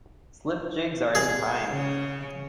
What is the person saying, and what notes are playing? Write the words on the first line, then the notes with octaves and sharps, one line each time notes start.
Slip jigs are in time.
G#4
C#3